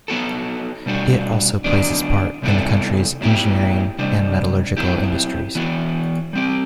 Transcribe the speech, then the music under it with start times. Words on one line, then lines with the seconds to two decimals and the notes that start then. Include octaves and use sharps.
It also plays its part in the country's engineering and metallurgical industries.
0.08 F#3 B3 F#4 A4
0.86 B2 G3 D4 F#4
1.64 D3 F#3 B3 D4
2.42 C3 G3 B3 E4 A4
3.21 A2 F#3 B3 E4 G4
3.99 C3 G3 D4
4.77 F#3 C4 E4 G4
5.55 E3 B3 F#4
6.33 G3 C4 G4